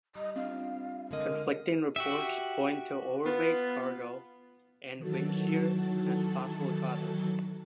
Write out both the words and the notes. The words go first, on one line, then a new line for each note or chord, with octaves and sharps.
Conflicting reports point to overweight cargo and windshear as possible causes.
G3 D#5
C4 D4 F4 F5
D3 G#3 A#4 D#5
F#4 G4 E5
B3 F4
D#3 E3 F#3 F#4 A4 A5